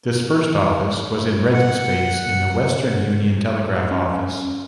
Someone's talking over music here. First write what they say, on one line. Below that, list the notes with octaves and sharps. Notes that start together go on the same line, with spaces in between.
This first office was in rented space in the Western Union Telegraph office.
F#5
C#4